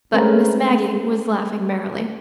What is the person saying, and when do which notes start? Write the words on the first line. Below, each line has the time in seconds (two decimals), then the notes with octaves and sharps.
But Miss Maggie was laughing merrily.
0.13 G#3 A3 C4 C#4 A#4 B4